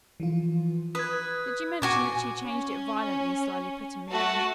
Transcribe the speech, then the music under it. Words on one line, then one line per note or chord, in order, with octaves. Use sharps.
"Did you mention that she changed it violently?" slyly put in Miriam.
E3 F3 F4
B4 D#6 G#6
A#2 F#4 G#5 D6
C#4
A3 F#4 A5